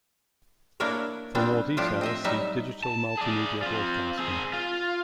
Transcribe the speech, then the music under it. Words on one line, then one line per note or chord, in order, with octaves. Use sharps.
For more details see Digital Multimedia Broadcasting.
A#3 D4 E4 A#4 C#5
G3 B3 C4 D4
A2 F3 D4 F4 G4
C4 D#5 E5
F#3 G3 D#4 E5
A5
G#4 D5
C4 F4
C4 G#4
F4